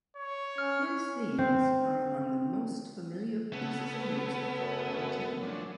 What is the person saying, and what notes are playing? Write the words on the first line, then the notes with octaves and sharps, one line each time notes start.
His themes are among "the most familiar pieces of music on television".
C#5
C#4 F6
C4
C#3 A3 B3
F#2
A3
F3 F#3 D4